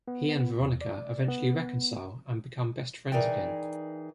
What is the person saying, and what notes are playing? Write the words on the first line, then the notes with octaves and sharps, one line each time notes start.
He and Veronica eventually reconcile and become best friends again.
B3
B3
E2
D5
B3
E3 D#4 G#4 A#4 D5 G5